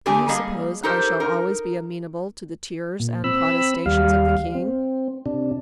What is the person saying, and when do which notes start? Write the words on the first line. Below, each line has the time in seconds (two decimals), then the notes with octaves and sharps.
Do you suppose I shall always be amenable to the tears and protestations of the king?
0.06 E2 D3 G4 G#4 G#5 A5
0.29 G3 A#3 G#4 D#5
0.83 D#4 G4 A4 A#4 C5
1.20 D#4 A#4
3.00 A#2
3.24 C4 B5 E6
3.86 D#2 G3 F5
4.55 C4
5.26 C3 D4